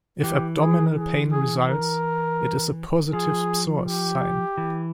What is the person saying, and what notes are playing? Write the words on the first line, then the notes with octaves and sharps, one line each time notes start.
If abdominal pain results, it is a "positive psoas sign".
E3 G4
G#4
G#4
G#4
A#4
F3 G#4
G4
E3